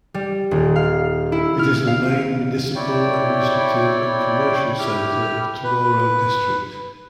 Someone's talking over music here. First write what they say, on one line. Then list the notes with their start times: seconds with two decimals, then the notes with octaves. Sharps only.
It is the main municipal, administrative, and commercial center of Tororo District.
0.14 G3
0.51 D#1
0.76 F5
1.32 E4
1.59 F6
1.87 F5
2.75 E4 C#5 D5 G5
4.79 E4 G4 F6
5.64 B4